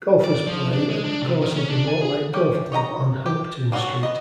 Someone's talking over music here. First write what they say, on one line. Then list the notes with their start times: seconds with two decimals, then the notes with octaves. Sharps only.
Golfers play at the course of the Mortlake Golf Club on Hopetoun Street.
0.24 D5
0.47 F3
0.73 D4
0.89 G#3
1.04 D4
1.22 C3
1.41 D#3
1.56 C#4
1.69 D4
1.88 G#5
2.01 G#4
2.33 C#4 G4
2.72 C#5 D#5 G5 A#5
3.26 G4
3.72 A#3 C#4 F4 F#4 A4
4.03 B3 D#5